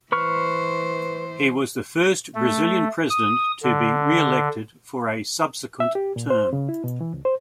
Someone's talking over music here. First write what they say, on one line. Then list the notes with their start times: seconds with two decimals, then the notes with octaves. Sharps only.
He was the first Brazilian president to be reelected for a subsequent term.
0.12 E3 B4 C5 C#6 F6
2.35 A3
3.10 D#6
3.63 D3
5.80 E5
5.95 G4
6.16 A#2
6.30 C5
6.53 C#3
6.69 E4
6.84 B2
7.01 E3
7.14 C#2
7.25 C5